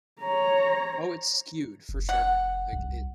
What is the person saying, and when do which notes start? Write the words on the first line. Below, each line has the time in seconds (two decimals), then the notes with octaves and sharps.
Oh, it's skewed for sure. Like, it
0.21 C#5 A#5
1.89 F1
2.09 F#5
2.73 C2